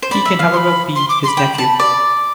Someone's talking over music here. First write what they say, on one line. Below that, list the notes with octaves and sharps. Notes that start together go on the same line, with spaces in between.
He can however be his nephew.
C5
D5 B5
E5
F5
C6
B5
C6
D6
C6
B5
G5
A5
D5